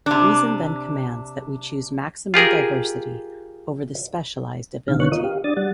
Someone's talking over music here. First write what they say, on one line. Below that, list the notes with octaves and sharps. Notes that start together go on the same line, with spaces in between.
Reason then commands that we choose maximum diversity over the specialized ability.
C3 D4
F4 G4 G#4 A#4
B2 D3 D#3 F5
D3 D#3 B3 C#5 C#6 F#6
F4 A#4 D#5 D#6
G4 F5
D4 D5 D#6 A6
G3 F#5 A6